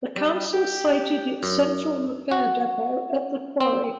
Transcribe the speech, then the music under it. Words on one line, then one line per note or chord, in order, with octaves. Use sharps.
The Council sited its Central Repair Depot at the quarry.
G3
G4
F#2
F#4
C4